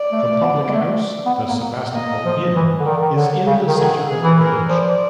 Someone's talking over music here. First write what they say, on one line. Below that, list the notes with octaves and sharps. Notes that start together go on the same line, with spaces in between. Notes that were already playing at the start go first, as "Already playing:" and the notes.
The public house, The Sebastopol Inn, is in the centre of the village.
Already playing: D5
A3
B3
G#3
A3
B3
A#3
A#3 D#5
F3
E3
D3
D#3 D5
D3 C#5
C#3 G4
D#3
D3 G#4
G#4
E3
A#4
F3 D5